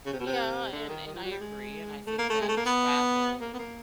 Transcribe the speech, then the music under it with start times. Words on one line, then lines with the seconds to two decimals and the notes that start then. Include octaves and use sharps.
Yeah, and and I agree, and I think that a travel
0.06 C#3
0.13 C3
0.20 B2
0.26 C3
0.72 D3
0.89 D#3
1.06 D#3
1.15 F3
1.24 F#3
1.31 G3
1.40 G#3
2.07 A3
2.18 A#3
2.30 A3
2.41 G#3
2.49 A3
2.57 A#3
2.66 B3
3.41 A#3
3.54 B3
3.59 A#3